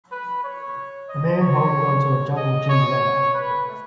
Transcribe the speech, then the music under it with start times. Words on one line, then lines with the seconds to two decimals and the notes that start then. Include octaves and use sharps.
A man holding onto a jungle gym ladder.
0.12 B4
0.44 C#5
1.08 D#5
1.41 C#5
2.37 D#5
2.69 C#5
3.34 B4